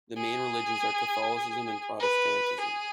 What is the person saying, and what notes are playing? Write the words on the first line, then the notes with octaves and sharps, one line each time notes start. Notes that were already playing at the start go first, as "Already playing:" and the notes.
The main religions are Catholicism and Protestantism.
G#4
B4
G#4